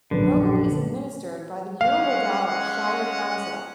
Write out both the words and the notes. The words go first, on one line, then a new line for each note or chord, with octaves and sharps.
Mogo is administered by the Eurobodalla Shire council.
A#1 F#2 D3 B4
G#3 C#4 F5 F#5